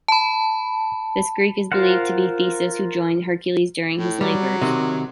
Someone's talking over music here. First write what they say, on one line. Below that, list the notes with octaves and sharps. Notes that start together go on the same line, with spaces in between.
This Greek is believed to be Theseus, who joined Heracles during his labors.
A5 B5
F4 A#4 C5 F5 F#5
A2
F#3 G3
C3 D#3